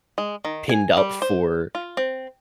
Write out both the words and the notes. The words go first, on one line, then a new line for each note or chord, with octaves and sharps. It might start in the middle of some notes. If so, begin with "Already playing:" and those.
pinned up for,
G#3
D#3
G#5
G3
C5
F4
C4